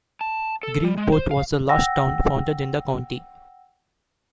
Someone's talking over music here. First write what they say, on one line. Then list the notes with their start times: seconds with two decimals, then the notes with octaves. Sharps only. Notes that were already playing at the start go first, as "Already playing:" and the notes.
Greenport was the last town founded in the county.
0.21 A5
0.63 A4
0.84 G3
0.97 G#3
1.12 C5
1.31 F5
1.69 F#5 G5 E6 A#6